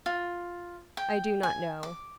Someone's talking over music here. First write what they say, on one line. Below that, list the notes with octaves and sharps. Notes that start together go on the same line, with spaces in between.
"I do not know."
F4
G5
G#5
D6